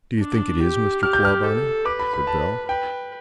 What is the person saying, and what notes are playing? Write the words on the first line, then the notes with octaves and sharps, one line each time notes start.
"Do you think it is, Mr. Clawbonny?" said Bell.
D4
G4
G4 F6
G6
F6
A4
B4 D6
B5
B5
A5
B4 G5